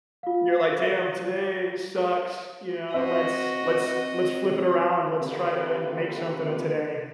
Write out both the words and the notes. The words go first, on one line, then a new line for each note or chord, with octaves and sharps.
You're like, "Damn, today sucks. You know, let's let's let's flip it around. Let's try to make something of today."
F4 F5
C4 F#4 C5 D#5 E5
D3 A#3 C4 F4 G4 B4